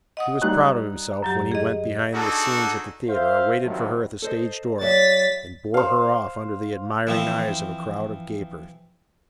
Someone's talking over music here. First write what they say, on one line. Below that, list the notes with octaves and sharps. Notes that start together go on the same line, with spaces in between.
He was proud of himself when he went behind the scenes at the theatre or waited for her at the stage door and bore her off under the admiring eyes of a crowd of gapers.
D#5 F#5 D#6
G3 D#4 F#6
F#2 F#3 G4
G#4 D#5
D4 D#4 F#4 G#4 A4
C5 E5 F5
G2 C3 D#3 F3 F#3
A4 C5 D#5
F#3 D5 E5 A6 B6
C5 F5
E3 F3 C4